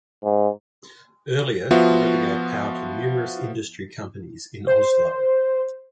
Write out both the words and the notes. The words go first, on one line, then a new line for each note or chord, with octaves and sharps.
Earlier, the river gave power to numerous industry companies in Oslo.
G#2
F3 B3 F4 F#4 E5
C5